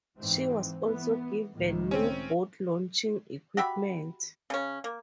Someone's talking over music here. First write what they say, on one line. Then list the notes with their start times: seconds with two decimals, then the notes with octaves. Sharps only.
She was also given new boat-launching equipment.
0.17 G#2 E3 C4
0.84 E3 B3
1.55 C#2 A2 D#3
1.91 C4 C#4
3.57 F#4 G4 E5 B5
4.50 C#3 C#4
4.84 A#3